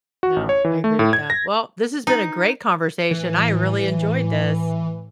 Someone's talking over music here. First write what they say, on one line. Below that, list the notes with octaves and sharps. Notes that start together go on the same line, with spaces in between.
No. I agree with that. Well, this has been a great conversation. I really enjoyed this.
F#4
A1
C#5
E3
A3
A2
G#6
A#6
D#4
A2 E3